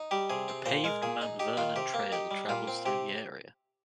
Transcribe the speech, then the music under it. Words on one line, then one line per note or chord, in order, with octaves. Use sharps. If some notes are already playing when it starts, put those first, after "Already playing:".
The paved Mount Vernon Trail travels through the area.
Already playing: D#4
G3 G4
C3 G#4
C4
A#2 C5
G#3 A#4
A#2 G#4
D#4
D#4 G4
D#3 F4
C3 G4
A#3
D#4 G4
G3
A#2 F4
C4
C3 G4